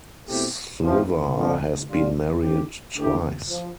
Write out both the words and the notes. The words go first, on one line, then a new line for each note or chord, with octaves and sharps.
Sliwa has been married twice.
B2 A3 C4 E4 G4
E2 C3 F3
F2 D3 F3
B2 G3 D4 F4
D3 A3 C4 G4
D3 A3 E4 G4
F3